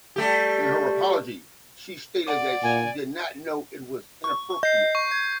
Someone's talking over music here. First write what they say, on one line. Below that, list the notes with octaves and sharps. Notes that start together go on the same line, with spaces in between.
In her apology she stated that she did not know it was inappropriate.
G3 A3 G4
D5 F#5 D6
A#2 G#5
C#6
C#6
D#5 G6 C7
C#6
G#6